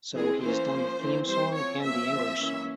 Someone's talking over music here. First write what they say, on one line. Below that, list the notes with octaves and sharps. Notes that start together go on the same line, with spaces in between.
So he has done the theme song and the English song.
E3 G#3 C4 G#4
E3 A#3 C#4 C5
F3 A#3 C#4
E3 A#3 C#4
G3 C4 C5
F3 C4 C#5
F3 A#3 C#4 E5
F3 C4
E3 A#3 C#4